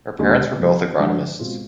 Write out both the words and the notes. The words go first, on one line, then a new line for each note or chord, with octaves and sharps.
Her parents were both agronomists.
D#2 D3 G#3
F2 C3 G3
G2 F3 G#3 D4
B2 G#3 C4 F4